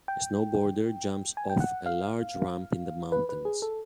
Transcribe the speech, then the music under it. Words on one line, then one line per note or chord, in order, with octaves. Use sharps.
A snowboarder jumps off a large ramp in the mountains.
G5
G#5
G5
F#5
F5
B4
B4
G#4
A4